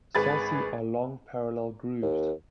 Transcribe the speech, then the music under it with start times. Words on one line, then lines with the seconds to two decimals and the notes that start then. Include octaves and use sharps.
Sulci are long, parallel grooves.
0.15 G#1 G#4 B4 B5 G#6 A6
2.02 D#2